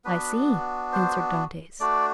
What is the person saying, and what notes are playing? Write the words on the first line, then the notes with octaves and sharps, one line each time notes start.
"I see," answered Dantes.
B3 D4 F#4 B4
C5
A3 D4 F#4 D5